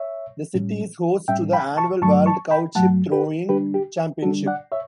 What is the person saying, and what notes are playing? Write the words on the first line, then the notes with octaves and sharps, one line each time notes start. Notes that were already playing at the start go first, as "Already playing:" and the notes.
The city is host to the annual World Cow Chip Throwing Championship.
Already playing: C#5 E5
A2 G3 C#4
A2 G3 C#4 E5 G5
G5 B5
A5 C#6
G2 F#3 A3 A5 C#6
A5 C#6
G5 B5
G2 F#3 A3 F#5 A5
G4 B4
D3 G3 D4 G4 B4
G4
D3 G3 D4 F#4 A4
D5 F#5
C#5 E5